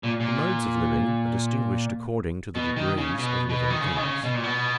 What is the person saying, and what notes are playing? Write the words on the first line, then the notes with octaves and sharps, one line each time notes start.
The modes of living are distinguished according to the degrees of living things.
A#2
A#2
B2
D#3
C#3
B2
B2
D#3
C#3
D#3
C#3
B2
A#2
B2